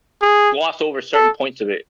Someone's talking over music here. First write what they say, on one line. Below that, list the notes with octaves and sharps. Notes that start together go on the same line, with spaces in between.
gloss over certain points of it,
G#4
A4